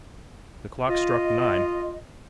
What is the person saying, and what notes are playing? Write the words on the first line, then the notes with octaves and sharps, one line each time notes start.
The clock struck nine.
F4 D#5